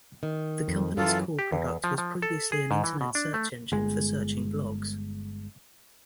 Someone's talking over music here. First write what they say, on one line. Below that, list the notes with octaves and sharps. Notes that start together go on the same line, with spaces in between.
The company's core product was previously an Internet search engine for searching blogs.
D#3
F2
F#2 E3 F#3 F4 A4
G4
E2
F3
F3
A4
G#4
G#2
E3
B2
D4
A3
G1 G#3